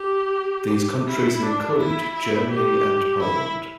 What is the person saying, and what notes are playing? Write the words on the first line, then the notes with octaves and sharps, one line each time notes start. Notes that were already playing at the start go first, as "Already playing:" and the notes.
These countries include Germany and Poland.
Already playing: G4
E4
D4
E4
E4
G4
E4